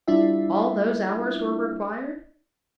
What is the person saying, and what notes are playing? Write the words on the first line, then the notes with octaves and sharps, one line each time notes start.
"All those hours were required?"
G3 D4 E4 F4 E5